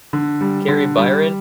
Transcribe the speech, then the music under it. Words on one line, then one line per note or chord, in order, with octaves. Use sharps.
Carrie Byron,
D3
G3
D3
G3